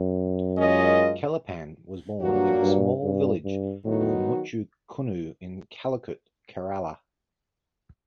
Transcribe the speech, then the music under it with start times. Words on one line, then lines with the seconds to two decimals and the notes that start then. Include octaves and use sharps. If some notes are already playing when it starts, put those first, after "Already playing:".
Kelappan was born in the small village of Muchukunnu in Calicut, Kerala.
Already playing: F#2
0.57 G#3 C#4 F4 A#4 D#5
2.21 G2 A#2 F#3 A#3 D4 F#4
2.62 G2
3.03 G2
3.44 G2
3.85 A2 D#3 F#3 B3 D#4 F#4